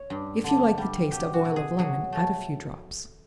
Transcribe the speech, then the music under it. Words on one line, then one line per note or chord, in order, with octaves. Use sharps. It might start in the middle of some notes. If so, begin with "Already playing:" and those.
If you like the taste of oil of lemon, add a few drops.
Already playing: C#5
G2
D3
G3
B2 G4
F#4
B2
G#4
F#3 G#4
A3